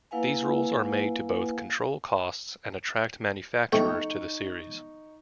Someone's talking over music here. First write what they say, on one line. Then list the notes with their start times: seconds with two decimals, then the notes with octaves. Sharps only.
These rules are made to both control costs and attract manufacturers to the series.
0.11 A#3 E4 B4 F5 F#5 G#5
3.73 A3 D#4 G5 C#6